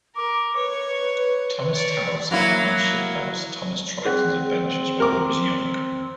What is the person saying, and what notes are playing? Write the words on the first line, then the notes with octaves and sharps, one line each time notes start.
Thomas tells of the midshipmouse Thomas Triton's adventures when he was young.
A#4 D6
B4 C#5
C#5 D5
F#3 A#3 E4
C4 G#4 C5 F#5
A#4 D6